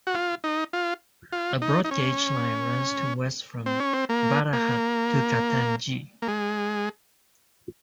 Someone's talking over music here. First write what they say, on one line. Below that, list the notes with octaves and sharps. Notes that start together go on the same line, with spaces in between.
A Broad gauge line runs to west from Balaghat to Katangi.
F#4
F4
D#4
F4
F4
D#4
D#4
C#4
C4
C#4
C4
A#3
A#3
A#3
G#3